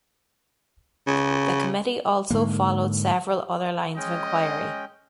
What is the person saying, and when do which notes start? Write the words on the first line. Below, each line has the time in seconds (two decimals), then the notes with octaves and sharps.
The committee also followed several other lines of inquiry.
1.07 C#3
2.30 G#2 D3 A#3
3.97 G#3 C#4 D#5 G5